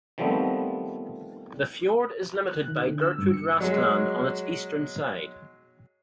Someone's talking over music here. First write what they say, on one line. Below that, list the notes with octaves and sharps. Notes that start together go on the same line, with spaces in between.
The fjord is limited by Gertrud Rask Land on its eastern side.
D#3 F3 G3 A3 B3 C4
F#6
D#3
D3
E6
G2
C#7
F#3 G#3